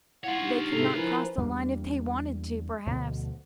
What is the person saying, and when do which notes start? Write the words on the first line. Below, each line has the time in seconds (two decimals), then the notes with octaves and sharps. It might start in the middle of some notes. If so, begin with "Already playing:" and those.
They could not cross the line if they wanted to, perhaps.
0.23 E4 F4 C#5 F5 F#5 C6
0.38 D4 D#4 G4
0.72 G#2 C3 A4 A#5
0.96 F3 E4 A#4 B4 G#5 A#5
1.37 E2 G3 A#3 D4
2.86 D2 B2 D3 F3